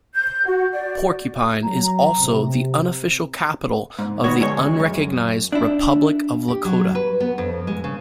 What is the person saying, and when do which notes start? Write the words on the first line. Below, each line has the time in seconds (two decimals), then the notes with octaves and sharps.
Porcupine is also the unofficial capital of the unrecognized Republic of Lakotah.
0.15 G6
0.46 F#4
0.71 D5
1.64 F#3 A#5
2.18 C3
3.99 G#2
4.24 D#3 B3 F#4 C#5
4.40 D2 G#3 C#5
4.80 F#2
5.52 D4 E4
6.48 G4
6.65 F#3
6.95 B4
7.20 B3
7.38 F2
7.67 G#3
7.84 C#3